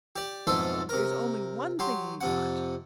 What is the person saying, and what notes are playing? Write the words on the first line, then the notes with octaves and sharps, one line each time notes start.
"There's only one thing we want."
G4 D5
B1 F2 G#2 A4 E5 C6
C3 A#4
F#3 G4 C6
F2 C3 F#5